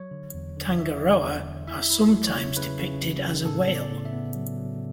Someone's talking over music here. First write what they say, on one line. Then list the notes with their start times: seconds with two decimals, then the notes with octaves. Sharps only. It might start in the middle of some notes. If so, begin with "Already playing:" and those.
Tangaroa are sometimes depicted as a whale.
Already playing: F#3 C#5
0.11 D3
0.34 E2
0.57 D3
0.78 F#3 E5
1.01 D3
1.24 E2
1.45 E2
1.68 E4 E5
1.90 E4
2.12 F#3
2.27 C#5
2.35 C#3
2.57 C#3 B4
2.79 C#3
3.02 F#3
3.23 C#3
3.46 A2 A4
3.68 B3
3.75 D5
3.90 A2
4.05 E5
4.13 B3
4.35 F#3
4.57 F#3